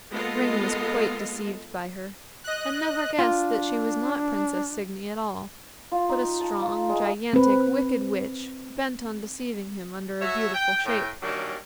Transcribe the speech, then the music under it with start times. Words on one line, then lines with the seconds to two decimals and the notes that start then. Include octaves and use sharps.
Ring was quite deceived by her, and never guessed that she was not Princess Signy at all, but a strong, gigantic, wicked witch bent on deceiving him under a beautiful shape.
0.13 G#3 A#3 B3 F4 A4 D#5
2.44 D#5 F#6
3.19 D4 F4
5.92 F4
6.09 D#4
6.40 A5
6.61 F4
6.89 G#3
7.33 C4 B4
10.21 F#4 A4 C#5 E5
10.53 G5
10.86 A2 G5
11.22 D#3 F#3 G3 A#3 C#4 D4